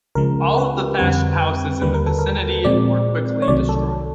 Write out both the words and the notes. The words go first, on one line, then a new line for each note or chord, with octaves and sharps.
All of the thatched houses in the vicinity were quickly destroyed.
C#2 C#3 F3 G#3 A#4
B4
G4
F2 D3 G3 C4 B4
D#2 D3 G3 A#3 B4
A#4
A4
A#4
A#2 F3 G#3 C4 D5
C#5
C2 C3 D#3 F#3 A3 D5
A4